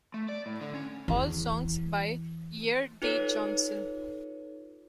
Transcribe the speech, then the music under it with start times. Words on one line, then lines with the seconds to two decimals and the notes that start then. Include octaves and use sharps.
All songs by Eric D. Johnson.
0.14 A3
0.29 D5
0.46 A2
0.61 D3
0.75 C#4
1.08 E2 E3
3.02 D#4 F4 A4 B4 C#5